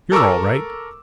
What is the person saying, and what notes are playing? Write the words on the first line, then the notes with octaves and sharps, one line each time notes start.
You're all right!
A4 A#4 C#6 D6 E6